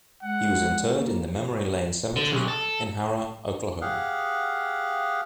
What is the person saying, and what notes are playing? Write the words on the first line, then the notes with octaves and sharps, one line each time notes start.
He was interred in the Memory Lane Cemetery in Harrah, Oklahoma.
G#3 F#5
A#3
D3
B1
A4
G4 G#4 F5 F#5